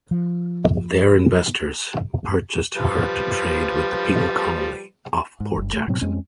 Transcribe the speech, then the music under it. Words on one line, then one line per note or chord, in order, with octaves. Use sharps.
There investors purchased her to trade with the penal colony of Port Jackson.
F3
F3 G3 B4
G#2
F#1 G2
A3
G#2 B2 F#3 C4
F2 G#3 C4 C#4